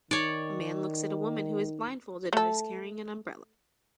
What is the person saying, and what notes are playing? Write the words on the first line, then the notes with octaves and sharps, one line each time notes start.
A man looks at a woman who is blindfolded and is carrying an umbrella.
D#3 D#4 C#5 D5
A3 A4